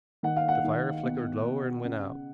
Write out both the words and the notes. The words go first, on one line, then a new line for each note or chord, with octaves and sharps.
The fire flickered lower and went out.
D#3 F#5
F5
F#5
D#3
B2
B2
C#3